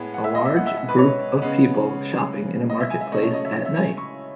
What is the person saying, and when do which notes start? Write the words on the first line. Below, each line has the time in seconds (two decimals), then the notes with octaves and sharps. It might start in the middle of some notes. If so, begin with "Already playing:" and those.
A large group of people shopping in a marketplace at night.
Already playing: A2 G#3 B3
0.14 F#5
0.24 E5
0.35 D#5
0.45 E5
0.57 F#5
0.66 E5
0.77 E5
0.89 B4
0.98 C#5
1.42 C#3 G#3 B3
2.70 D#5
2.80 E5
2.90 G#5
3.01 E5
3.12 C#3 F#3 A3 D#5
3.23 C#5
3.34 D#5
3.45 E5
3.65 E5
3.76 G#5
3.98 C#6